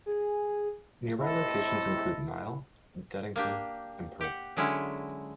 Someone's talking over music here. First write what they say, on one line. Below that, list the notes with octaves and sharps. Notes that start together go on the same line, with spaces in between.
Nearby locations include Nile, Deddington and Perth.
G#4
A2 C3 C4 E4 A4 D#5
A#3 D4 G4
G4 F#5
D3 F#3 G#3 C#4 E4